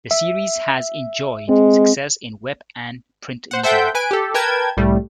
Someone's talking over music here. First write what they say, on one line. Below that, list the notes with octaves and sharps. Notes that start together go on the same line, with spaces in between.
The series has enjoyed success in web and print media.
E5
G#3 C4
C5 F#5
A4 C5 E5 F#5 G5 G6
B4 G#5 D7
G4 A4
A#4 B4 G5 A5 G#6
C2 A2 G3 A3